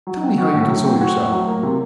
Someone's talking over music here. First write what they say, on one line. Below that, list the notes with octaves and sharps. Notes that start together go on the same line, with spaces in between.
"Tell me how you console yourself."
F#3
C4
F#4
A2
F#3
C4
F#4
A2
F#3
A#3
C3